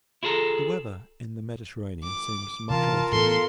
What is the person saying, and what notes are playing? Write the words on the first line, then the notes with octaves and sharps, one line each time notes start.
The weather in the Mediterranean seems much altered.
E4 F4 G#4 A4 A#5
D6
C3 E3 F4 A#4 F5 A5
A2 E3 B3 A4 C6